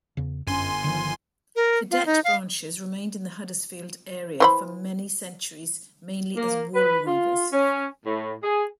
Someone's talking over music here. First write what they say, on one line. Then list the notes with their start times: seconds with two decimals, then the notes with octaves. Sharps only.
Cadet branches remained in the Huddersfield are for many centuries mainly as wool weavers.
0.17 E2 C#3
0.47 G1 F#2 C#4 G#5 C6
0.84 D3 D#3 F3
1.56 A#4
1.91 F4
2.06 D#4
2.24 F5
4.40 E3 C5 B5
6.36 A#3
6.75 B4
7.07 F4
7.52 C#4
8.06 A2
8.43 G#4